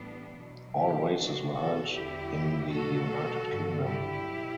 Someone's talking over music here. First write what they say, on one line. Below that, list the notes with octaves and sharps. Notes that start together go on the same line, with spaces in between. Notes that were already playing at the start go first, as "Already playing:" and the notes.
All races were held in the United Kingdom.
Already playing: A2 E3 G3 B3 D4
B2 F#3
E4 G4
B2 F#3 D4 F#4
F#4 A4
E2 D3 F#3 E4 G4
B2 F#3 F#4 A4
G2 D3 G3
E4 G4
B2 F#3